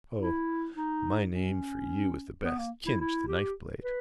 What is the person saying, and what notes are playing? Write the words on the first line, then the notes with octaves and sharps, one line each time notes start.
O, my name for you is the best: Kinch, the knife-blade.
E4
D#4
C#4
B3
A#3
E4
E4
G4
B4